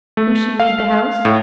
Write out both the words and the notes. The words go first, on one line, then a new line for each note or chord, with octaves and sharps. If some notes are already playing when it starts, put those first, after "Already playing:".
Who should lead the House?
A3
F5
A2